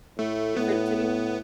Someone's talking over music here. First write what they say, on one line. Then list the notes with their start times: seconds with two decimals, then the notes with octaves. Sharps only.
different to me.
0.18 A2 A3
0.57 A2 B3